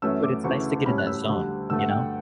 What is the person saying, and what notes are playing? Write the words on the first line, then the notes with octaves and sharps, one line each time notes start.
But, it's nice to get in that zone, you know?
F#2 E3 A3 C#4 E6
D6
D2 C#3 E3 A3 E4 C#6
A2 G3 C#4 B5
F#6
E6
D2 D3 G3
G2 D3 A3 E6
F#5
G5